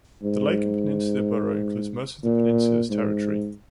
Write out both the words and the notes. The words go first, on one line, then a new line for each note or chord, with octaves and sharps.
The Lake and Peninsula Borough includes most of the peninsula's territory.
G#2
A#2
G#2